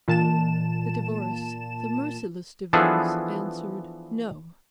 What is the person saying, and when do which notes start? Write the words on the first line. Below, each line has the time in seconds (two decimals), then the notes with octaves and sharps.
The Divorce, the merciless Divorce, answered:--No!
0.08 A#2 E3 A5 E7
2.73 E3 F3 B3 D4 G#4 A4